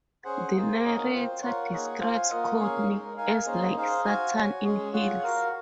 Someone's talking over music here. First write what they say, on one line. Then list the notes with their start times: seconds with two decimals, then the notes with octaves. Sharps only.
The narrator describes Courtney as "like Satan in heels".
0.24 C#4 G#4 C5 F#5
0.54 A#3 D#4 G#4 C5
0.83 A#3 C#4 F#4 A#4 D#5
1.12 C4 F4 C5
1.42 F4 A#4 C#5 F#5
1.71 A#3 D#4 G#4 C#5 F#5
2.00 F4 C5 F5 G#5
2.29 A#3 F4 A#4 D#5 F#5
2.59 A#3 C#4 G#4 C#5 F5
2.88 G#3 D#4 A#4
3.17 D#4 A#4 F5 G#5
3.46 A#3 C#4 G#4 C5 D#5
3.76 D#4 G#4 C5 F5
4.05 F#4 C5 F5 G#5
4.34 F#4 C#5 G#5
4.64 G#3 C#4 G#4
4.93 F4 G#4 C#5 F#5
5.22 F#4 A#4 F5